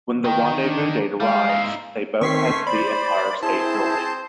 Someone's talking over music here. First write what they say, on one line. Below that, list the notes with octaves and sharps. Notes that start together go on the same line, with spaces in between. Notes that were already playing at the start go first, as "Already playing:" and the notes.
When the rendezvous date arrives, they both head to the Empire State Building.
D#3 D#4 G5
D4
G3 G#3 F5
D#4 E4
D#3 A3 C4 C#4 C6 C#6 B6 C7
C5 D5 B5
C4 E4 G#4 C5 A5